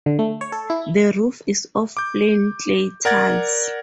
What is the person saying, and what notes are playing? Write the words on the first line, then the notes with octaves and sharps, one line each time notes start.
The roof is of plain clay tiles.
D3
A3
C#5
A4
E4
D6 G6
A#4 D5 F#5 G#6 A6